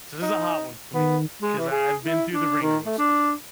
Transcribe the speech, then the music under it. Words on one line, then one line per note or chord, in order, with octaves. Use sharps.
So this is a hot one for me 'cause I've been through the ringer with school.
D#4
D#3 B3
G#3
E3
G#4
E4
D4
D#3
A3
D4